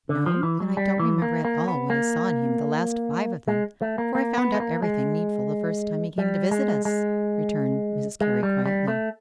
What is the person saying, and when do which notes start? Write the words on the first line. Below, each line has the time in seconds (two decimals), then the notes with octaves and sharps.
"No; and I don't remember at all what I saw in him the last five of them, for I found out everything needful the first time he came to visit us!" returned Mrs. Carey quietly.
0.09 D3
0.26 F3
0.43 E3
0.60 F#3
0.77 G3
0.99 E3
1.22 A#3
1.45 A#3
1.68 B3
1.90 A#3
3.48 G#3
3.82 A3
3.98 A#3
4.15 A#3
4.38 B3
4.55 A3
4.60 A#3
4.83 G#3
6.18 G3
6.51 G#3
6.85 G#3
8.21 G#3
8.43 G3
8.66 G3
8.88 A3